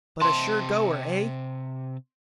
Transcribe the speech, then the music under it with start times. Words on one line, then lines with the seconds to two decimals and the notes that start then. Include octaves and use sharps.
"But a sure goer, eh?"
0.22 C3 C4 A5 C6